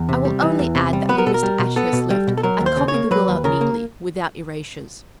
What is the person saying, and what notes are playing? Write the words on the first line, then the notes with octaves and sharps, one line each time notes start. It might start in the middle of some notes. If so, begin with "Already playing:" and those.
I will only add that when Mr. Ashurst left, I copied the will out neatly, without erasures.
Already playing: E2
C3
G3
E3
E2
C3
G3
B3 B4
A#4
B2 A4
A#4
G3
B2
B3 A4
B2
G3
B2
A4
F#3 A#4
D#2
C5
C#3
C#5
A#3
F#3 B4
D#2
C#3 A#4
A#3